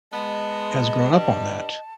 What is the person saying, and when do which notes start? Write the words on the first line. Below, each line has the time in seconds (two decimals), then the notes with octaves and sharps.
has grown up on that,
0.12 G#3 B3 D#5 A5
1.12 G2 G3